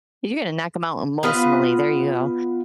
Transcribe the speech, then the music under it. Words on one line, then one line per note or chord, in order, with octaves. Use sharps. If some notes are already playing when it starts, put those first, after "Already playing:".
You're gonna knock them out emotionally. There you go.
B3 F4 B4 D#5